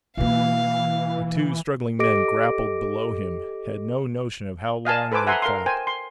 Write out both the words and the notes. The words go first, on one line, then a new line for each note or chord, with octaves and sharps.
The two struggling men grappled below him had no notion of how long they had fought.
B2 E3 A#3 F5
G4 A4 D#5 D6 A#6 D7
D#5 F5 G#5 A5
A4 B4 C5 G#5 D6
E5 F#5 G#5 A#5 C6
A#4 F5 C6
C5 G5 G#5
C6